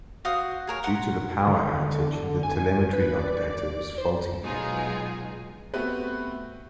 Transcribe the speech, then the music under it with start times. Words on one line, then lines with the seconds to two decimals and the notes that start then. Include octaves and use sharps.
Due to the power outage, the telemetry log data was faulty.
0.25 F#4 C5 F5 D#6
0.67 G#4 A#4 C#5
0.84 F#5 A#5 C6
1.47 D3
2.43 G#5
2.93 B4
3.19 D5
3.98 C5
4.43 B2 F#3 G#3 D#4 F4 G#4
5.74 A3 B3 C4 F#4 G4 B4